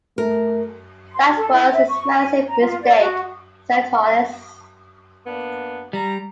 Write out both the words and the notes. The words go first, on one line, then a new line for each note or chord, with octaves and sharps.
"That was a massive mistake," said Hollis.
A3 A#4
C6
A4
E4
E5
C#6
G#5
A#5
F4
D5
F#4
A#3 B3 D4
G3 A#5